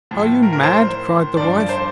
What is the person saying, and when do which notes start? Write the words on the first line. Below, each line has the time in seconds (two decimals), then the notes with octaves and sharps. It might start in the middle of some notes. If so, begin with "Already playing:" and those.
'Are you mad?' cried the wife.
0.11 A2 F3
0.43 A#4
0.53 A#4
0.63 C5
1.37 G2 F3 D5
1.69 C5